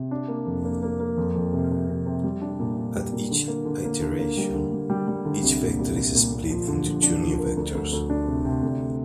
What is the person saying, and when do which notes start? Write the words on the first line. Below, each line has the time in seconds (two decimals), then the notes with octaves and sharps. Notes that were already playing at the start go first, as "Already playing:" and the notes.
At each iteration, each vector is split into two new vectors.
Already playing: C3
0.11 D4
0.28 A#3
0.46 F2
0.65 A#3
0.83 A#3
1.00 A#3
1.18 F2
1.35 F2
1.53 C3
1.71 C3
1.88 C3
2.06 C3
2.23 G3
2.41 D4
2.60 A#2
2.77 D4
2.95 G3
3.13 A#2
3.31 D3
3.48 A#3
3.65 D3
3.84 A#3
4.01 D3
4.19 A#3
4.37 G3
4.55 D3
4.73 G3
4.90 G3
5.08 G3
5.25 D3
5.43 C2
5.62 A#2
5.79 C2
5.96 C2
6.15 A#2
6.32 A#2
6.50 F3
6.68 D3
6.86 F3
7.03 D4
7.21 F3
7.38 A#4
7.57 D2
7.75 D2
7.92 D2
8.10 D4
8.27 C3
8.45 C3
8.63 D2